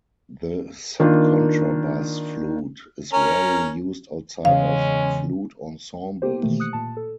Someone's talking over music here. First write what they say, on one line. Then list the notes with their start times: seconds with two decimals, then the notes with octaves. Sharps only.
The subcontrabass flute is rarely used outside of flute ensembles.
1.00 D#3 A#3 D4 F4
3.13 C#4 A#4
4.45 E2 C#3 G#3 C#4 F5
6.22 A#3 B3 G4 C5
6.41 B2 D#3 E3 A3 A#3 G4
6.60 D#6 F#6 C#7
6.73 A#2 A5
6.97 A4